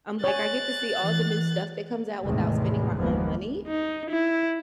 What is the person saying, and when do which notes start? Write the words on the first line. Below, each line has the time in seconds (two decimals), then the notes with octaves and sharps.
I'm, like, I get to see all the new stuff that comes out without spending my own money,
0.24 C#5 G#5 F#6 A6
1.03 E3
2.24 A1 E2 A2 C3 D#3 G#3
2.97 F#1 D#2 F3 G#3 A#3 B3
3.68 D#4
4.10 E4